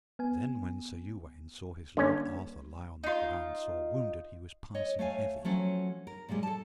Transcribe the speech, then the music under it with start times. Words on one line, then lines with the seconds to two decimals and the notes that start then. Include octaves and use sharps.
Then when Sir Uwaine saw his lord Arthur lie on the ground sore wounded, he was passing heavy.
0.19 B3 G#5
1.97 D3 G3 A#3 C#4
3.04 D#4 F4
4.75 C#5 D#5
4.99 A3 C#5 F5 G#5
5.45 F3 F#3 A3 C#4
6.07 A#4
6.29 A#2 F3 G3 G#3
6.43 A4 A5